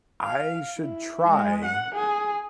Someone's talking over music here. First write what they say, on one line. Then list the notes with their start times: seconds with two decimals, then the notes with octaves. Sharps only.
I should try
0.23 F5
0.79 E4
1.29 G#3
1.65 F#5
1.95 G#4